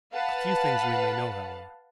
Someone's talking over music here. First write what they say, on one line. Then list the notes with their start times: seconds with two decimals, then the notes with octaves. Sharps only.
A few things we may know, however.
0.14 B4 F5 F#5 A5